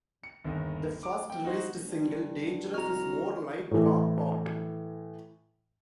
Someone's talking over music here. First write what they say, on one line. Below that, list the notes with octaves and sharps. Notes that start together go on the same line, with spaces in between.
The first released single, "Dangerous", is more light rock-pop.
C#7
G1 D#2
D6
G5
D#4 F#4 C5
G2
C2 F#4 A#5 F6
A2 E3